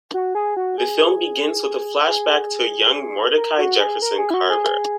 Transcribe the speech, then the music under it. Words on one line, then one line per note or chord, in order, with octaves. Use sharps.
The film begins with a flashback to a young Mordechai Jefferson Carver.
F#4
G#4
F#4
G#4
G#4
A#4
F#4
G#4
A#4
G#4
E4
F#4
G#4